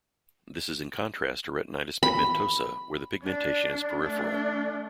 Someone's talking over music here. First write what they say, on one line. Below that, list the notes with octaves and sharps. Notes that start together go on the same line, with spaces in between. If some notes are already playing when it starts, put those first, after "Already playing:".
This is in contrast to retinitis pigmentosa where the pigmentation is peripheral.
B5
D4
A3 D4